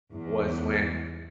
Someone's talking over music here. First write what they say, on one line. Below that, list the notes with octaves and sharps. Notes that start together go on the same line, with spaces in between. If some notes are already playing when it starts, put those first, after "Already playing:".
was when,
E2